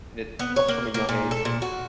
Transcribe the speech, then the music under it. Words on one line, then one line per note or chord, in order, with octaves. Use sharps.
and it comes from a young age-
B3
C#5
A#3
A#3
A#2
A4
A#2
F#4